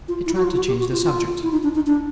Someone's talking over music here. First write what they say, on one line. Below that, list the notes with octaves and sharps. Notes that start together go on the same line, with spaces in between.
He tried to change the subject.
F4
E4
F#4
F4
F#4
G4
F#4
F4
F4
E4
D#4
D4
D#4
D4